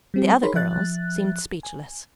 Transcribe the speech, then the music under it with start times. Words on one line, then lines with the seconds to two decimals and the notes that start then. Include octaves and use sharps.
The other girls seemed speechless.
0.14 G3 C4 G4
0.42 D#4 G#4 A#4 C#5 B5 C6
0.54 F3 E5 F#6 A6
1.63 G#5